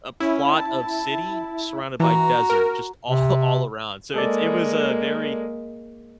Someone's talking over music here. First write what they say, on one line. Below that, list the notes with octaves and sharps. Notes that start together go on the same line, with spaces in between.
a plot of city surrounded by desert just all all around. So, it's it was a very
C#4 E4
A5
E3 F#4 A#5
A#4
C3
G#3 A#3 G#4 A4 D5